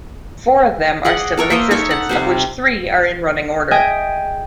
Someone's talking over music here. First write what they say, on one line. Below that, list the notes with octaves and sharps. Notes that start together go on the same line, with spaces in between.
Four of them are still in existence of which three are in running order.
G#4 D5 D#5 F#5
A4 A#4 C#5
A#3 C5 D#5 E5
D#4 A4 C#5 E5
F#5
C3 G3 C5
G#4 D#5 E5 G5 G#5